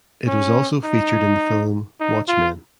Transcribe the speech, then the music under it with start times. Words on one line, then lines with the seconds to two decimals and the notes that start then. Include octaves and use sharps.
It was also featured in the film "Watchmen".
0.27 C#4
0.84 D#4
2.00 D#4
2.28 F4